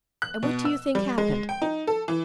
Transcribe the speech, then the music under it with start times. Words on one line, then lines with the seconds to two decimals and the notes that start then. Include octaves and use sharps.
And what do you think happened?
0.22 F#6
0.43 B2
0.65 E6
0.95 G3
1.18 G#3
1.49 G5
1.62 D#4
1.87 A4
2.08 E3